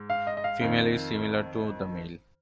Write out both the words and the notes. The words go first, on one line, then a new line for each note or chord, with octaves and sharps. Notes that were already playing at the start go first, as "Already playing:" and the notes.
Female is similar to the male.
Already playing: G#2
F5
D#5
D#5
F5
F2 D#3 F5